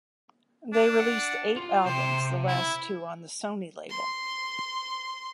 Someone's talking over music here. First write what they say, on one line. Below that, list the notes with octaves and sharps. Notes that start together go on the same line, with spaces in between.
They released eight albums, the last two on the Sony label.
D4
F#5
F4
C3 C5
E4
C6